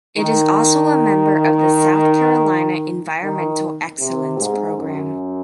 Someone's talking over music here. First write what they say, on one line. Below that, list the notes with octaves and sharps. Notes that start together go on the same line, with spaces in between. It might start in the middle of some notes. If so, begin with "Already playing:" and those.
It is also a member of the South Carolina Environmental Excellence Program.
D#3
D#3
C3
G#2
F#2